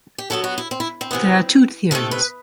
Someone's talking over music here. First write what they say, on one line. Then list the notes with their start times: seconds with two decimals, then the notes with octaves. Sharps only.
There are two theories.
0.18 G4
0.30 G2 F#3 B3 A4
0.44 F#4
0.58 E4
0.71 C4
0.80 E4
1.01 C4
1.11 C3 E3 B3
1.91 C3 D#3 A3 A4
2.11 B4